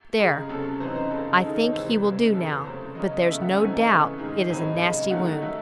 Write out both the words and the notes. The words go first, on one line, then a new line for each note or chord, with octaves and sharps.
There; I think he will do now; but there's no doubt it is a nasty wound.
F#2 C#3 G#3 G#4
C3 F#3 C#4 A4
F#2 E3 C4 D#4 C5
C5
C#3 G#3 D#4 A4
G#4
D#3 G#3 D#4 A4
C#5
C3 E3 G#3 C5
C#3 G#3 C4
E2 C3 E3 A4
C#3 F#3 A3 C4 C5
C#3 F#3 C#4 D#5
C#3 E3 A3 C#4 E5
F#5
F#2 E3 A3 C4 D#4 G#5
C#3 E3 A3
G#2 D#3 G#3
A2 F#3 C4 D#4 G#5
C#3 G#3 D#4
D#3 F#3 A3 D#4 F#5
F#3 A3 E5